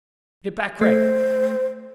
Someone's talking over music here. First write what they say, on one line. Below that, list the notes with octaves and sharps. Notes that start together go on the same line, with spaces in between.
Get back, Gregg!
A3 C5